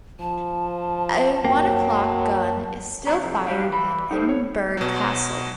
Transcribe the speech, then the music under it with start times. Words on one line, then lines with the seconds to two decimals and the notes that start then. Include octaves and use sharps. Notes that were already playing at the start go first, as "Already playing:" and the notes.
A One O'Clock Gun is still fired at Edinburgh Castle.
0.20 F3 A5
1.45 F#2 F#3 A#3 G5
3.07 F2 C3 C#5 A#5
3.21 C3 F3
3.47 G3 G4 D5 F5
3.69 E3 B5
4.11 D#4 A4 C5
4.29 C#5
4.77 B2 F#3